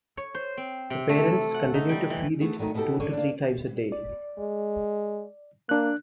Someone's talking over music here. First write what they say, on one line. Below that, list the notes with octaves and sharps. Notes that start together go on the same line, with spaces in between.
The parents continue to feed it two to three times a day.
C#5
C5
C4
C3
A3
A4
F#5
D#4
G3
E3
A3 B3 G#4 A4
D#3 F#3 A3 C#4 D#4
B2 B3 D#4 G4 A4
D3 D4 C#5
A#3 D4
D5
G#3
A#3 D4 F#6